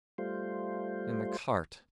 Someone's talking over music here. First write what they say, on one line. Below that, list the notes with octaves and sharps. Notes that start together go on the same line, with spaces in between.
In the cart.
G3 A3 F4 C5